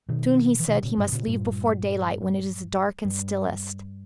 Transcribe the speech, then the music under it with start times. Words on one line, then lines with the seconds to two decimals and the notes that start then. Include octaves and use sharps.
Soon he said he must leave before daylight when it is dark and stillest.
0.09 B2 D#3
0.60 E3
0.68 B2 D#3
0.83 A#2 C#3
0.98 G2 A#2
1.08 B2
1.12 A#2 C#3
1.27 G2 A#2
3.04 G2